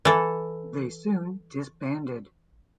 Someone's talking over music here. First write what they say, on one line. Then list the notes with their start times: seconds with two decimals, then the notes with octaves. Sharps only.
They soon disbanded.
0.05 E3 A4